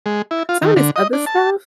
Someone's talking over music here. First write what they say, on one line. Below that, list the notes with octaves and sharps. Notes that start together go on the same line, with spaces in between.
some of this other stuff
G#3
E4
F4
D#3
D3
D#5
D4
A5